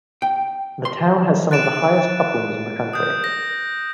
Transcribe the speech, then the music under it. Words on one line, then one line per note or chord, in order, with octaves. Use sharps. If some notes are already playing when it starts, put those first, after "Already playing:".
The town has some of the highest uplands in the county.
G5
C6
F#6 A6 D7 E7
D#6 G6
A#6